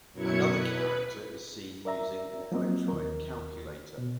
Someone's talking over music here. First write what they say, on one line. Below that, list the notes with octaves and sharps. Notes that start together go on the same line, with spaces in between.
Another character is seen using an electronic calculator.
F#2 B2 F#3 E4 G#6 C#7
B4
A#4 D5 E5 A#5
F3 F#3 A#3 C4 D#5
D#2 A#4
B2